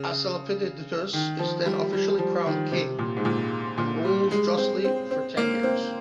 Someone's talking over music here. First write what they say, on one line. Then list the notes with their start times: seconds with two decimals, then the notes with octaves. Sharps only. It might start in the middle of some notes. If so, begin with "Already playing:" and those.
Asclepiodotus is then officially crowned king, and rules justly for ten years.
Already playing: C#3
1.13 D#3
1.39 F3
1.66 G3
1.93 G3
2.19 F3
2.46 D#3
2.71 C3
2.98 A#2
3.17 G#2
3.25 A#2
3.78 A#2
4.05 G3
4.31 G#3
4.58 C4
4.84 C4
5.11 C4
5.37 A#3
5.63 C4